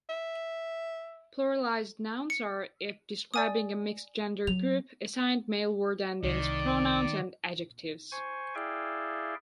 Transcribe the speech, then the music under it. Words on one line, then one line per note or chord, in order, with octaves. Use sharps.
Pluralized nouns are, if describing a mixed-gender group, assigned male word-endings, pronouns, and adjectives.
E5
C#7
D5 G#5 D#6
F#3 F7
C2 D#3 D5
C5 G#5 C#6
E4 G#4 D5 E5 F5 G5